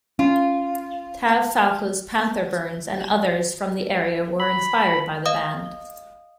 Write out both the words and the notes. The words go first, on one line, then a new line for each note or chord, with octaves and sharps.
Tav Falco's Panther Burns and others from the area were inspired by the band.
C#4 F4
B5
D#5 F5 D#6